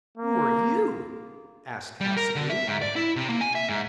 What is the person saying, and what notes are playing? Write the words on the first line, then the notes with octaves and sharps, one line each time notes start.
'Who are you?' asked Hassebu.
A#3
G3
A#4
D3
E5
G#2
D5
E4
C3
A#3
G#5
E5
G#2